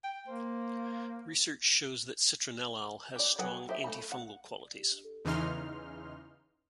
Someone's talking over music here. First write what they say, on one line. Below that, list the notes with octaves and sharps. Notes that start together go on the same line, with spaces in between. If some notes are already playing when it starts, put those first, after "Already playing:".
Research shows that citronellal has strong antifungal qualities.
G5
A#3 C5
G4 D5
F#3 G#4 B4 F#5 G5
G4 G#4 C5 E5
A3 F#4 A5 B5
F#5
E2 C#3 E3 D#4 C6 F6